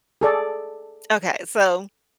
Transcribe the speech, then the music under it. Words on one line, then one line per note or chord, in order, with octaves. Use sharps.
Okay, so
G#4 A4 D5